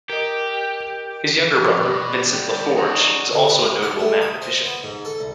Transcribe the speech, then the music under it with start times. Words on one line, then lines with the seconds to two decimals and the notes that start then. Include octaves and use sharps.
His younger brother Vincent Lafforgue is also a notable mathematician.
0.10 G4 A#4 D#5
1.54 F2
1.82 B2 B4 D5
2.32 D3 G3 G4
2.76 D#4 F#4 G#4 D5
3.32 D3
3.48 B4
3.83 D5
3.99 A3
4.22 D#6
4.42 C5
4.65 B3
4.83 G#2
5.05 A4
5.20 C2